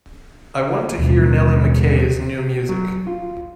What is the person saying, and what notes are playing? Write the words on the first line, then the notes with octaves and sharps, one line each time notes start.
I want to hear Nellie Mckay's new music.
D#2 B2
F#3
F4